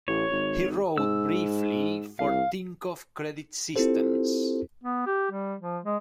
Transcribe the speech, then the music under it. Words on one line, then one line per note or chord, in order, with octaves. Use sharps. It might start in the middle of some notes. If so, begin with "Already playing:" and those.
He rode briefly for Tinkoff Credit Systems.
A1 C#5
G#1
G#2 E6
C2 F5
C4 E4 F4 G4 A4 C5
B3
G4
G3
F3
G#3